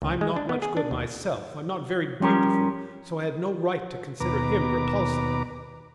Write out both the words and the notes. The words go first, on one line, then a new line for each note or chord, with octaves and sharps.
I'm not much good myself, I'm not very beautiful, so I had no right to consider him repulsive.
C#2
G#3
D4
B3
G#4
D4
D#2
F3 G3 C#4 G4 A#4
D#2 B2 B4 A#5 D6